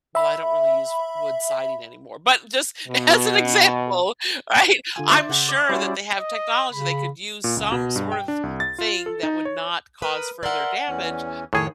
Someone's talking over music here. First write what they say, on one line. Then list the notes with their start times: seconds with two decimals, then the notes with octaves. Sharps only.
well, I don't really use f wood siding anymore, but just as an example, right, I'm sure that they have technology they could use some sort of thing that would not cause further damage,
0.15 E5 B5
2.89 B2
4.96 D3 F4 G#5
5.08 C5 D5 E5
5.29 C#3 F#5 G#5
5.49 D5
5.69 G3 C#4 E4 F#4 C5
6.17 D#5
6.72 C#3 B5
7.44 A#2
7.57 C#2
7.72 B2
7.96 G2
8.12 G5
8.28 D4
8.43 C2
8.60 A6
8.79 F4
9.06 A4
9.23 D#4
9.45 C#5
10.02 A#4 B4 D#6
10.43 A#4 D5 E5 F#5 C6
10.88 E2 E3 C#4
11.53 F2 A2 D#3 G#4 C#5